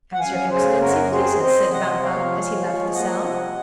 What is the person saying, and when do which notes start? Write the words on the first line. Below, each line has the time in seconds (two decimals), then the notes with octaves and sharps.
"As your excellency pleases," said Vampa, as he left the cell.
0.14 F#5
0.20 F#2 F5 G#5
0.51 C#3 G#4 C5
0.81 F#2 F#4 A#4
1.12 C4 G#4 C5
1.42 C4 C5 D#5
1.72 C3 D#5 F#5
2.03 F3 C#5 F5
2.33 G#3
2.64 F3
2.94 A#3 D#5 F#5
3.24 C3